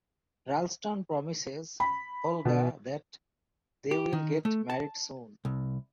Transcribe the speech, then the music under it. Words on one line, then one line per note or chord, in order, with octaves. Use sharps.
Ralston promises Olga that they will get married soon.
B5
B2
G4
D#3
A3
A5
C2